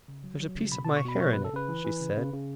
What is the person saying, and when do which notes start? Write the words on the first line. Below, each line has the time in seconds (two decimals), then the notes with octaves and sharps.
"There's a piece of my hair in it," she said.
0.08 C#3
0.24 F#3
0.40 F#3
0.57 C#3
0.72 B2 B5
0.85 B2 A5
0.96 C#6
1.05 B2 B5
1.20 F#3 C#5
1.33 C#3 B4
1.45 A4
1.53 C#3 B4
1.69 E3
1.85 E3
2.00 C#3
2.17 C#3
2.33 C#3